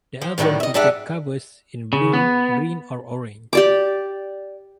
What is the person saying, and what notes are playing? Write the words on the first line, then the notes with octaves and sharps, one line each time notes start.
The album featured covers in blue, green, or orange.
F3
A2 D3 D#3 F#3 G3
D#5 E5
G#2 G3 D4 E5 F#5
C#3
B3
G4 D5 D6